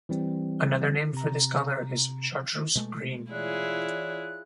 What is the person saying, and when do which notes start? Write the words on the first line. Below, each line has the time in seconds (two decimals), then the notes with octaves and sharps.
Another name for this color is chartreuse green.
0.09 E3 G3 C4
1.13 C3 A#5
2.75 B2 G#3 A3
3.31 E3 E4 F4 G#4 C#5 D5 F#6